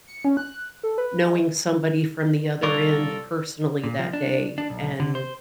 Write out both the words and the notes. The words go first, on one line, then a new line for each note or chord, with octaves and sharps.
knowing somebody from the other end personally that day, and,
C#7
C#4
F#6
A4
B4
G#3
C2 F4 A4 A#4 D5 C#6 D6
A#2
F3
D4
D4
B1
D3
C5